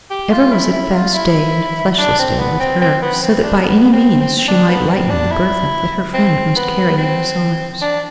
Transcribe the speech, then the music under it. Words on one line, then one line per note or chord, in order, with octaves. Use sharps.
Ever was it fast day and fleshless day with her, so that by any means she might lighten the burthen that her friend must carry in his arms.
G4
F4
E4
E4
F4
E4
D4
C4
B3
C4
C4
B3
C4
D4
B3
C4
C4
C4
D4
B3
C4
D4
E4
C4
B3
C4
D4